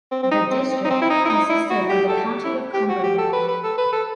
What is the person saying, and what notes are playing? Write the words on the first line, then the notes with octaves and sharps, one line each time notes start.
The district consisted of the County of Cumberland.
C4
C4
D#4
C4
C4
D#4
C4
E4
D#4
E4
D#4
E4
F#4
G4
A4
E4
G4
F#4
G4
A4
B4
B4
A4
B4
A4